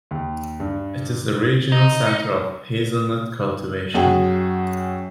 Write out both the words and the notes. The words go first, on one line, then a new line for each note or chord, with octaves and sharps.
It is the regional center of hazelnut cultivation.
D#2
G2
D#4
F#2 F#4 G#4 G5